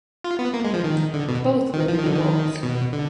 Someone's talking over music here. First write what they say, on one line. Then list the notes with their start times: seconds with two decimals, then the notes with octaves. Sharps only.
Both were leading roles.
0.24 F4
0.39 B3
0.54 A#3
0.65 G#3
0.74 F3
0.84 D#3
1.14 D3
1.28 B2
1.73 D#3
1.88 F3
1.98 D#3
2.06 D3
2.14 D#3
2.63 B2
2.93 D3